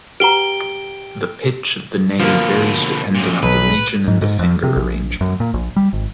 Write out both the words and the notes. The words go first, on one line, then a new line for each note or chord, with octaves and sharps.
The pitch of the ney varies depending on the region and the finger arrangement.
G4 B4 F#5 A#5 D7 G7
B2 D3 F3 A#3
F#2 A#2
B1 B4
G#2
G#2
F2
C3
A#1
F#2
A#2
A#1
G3
G#1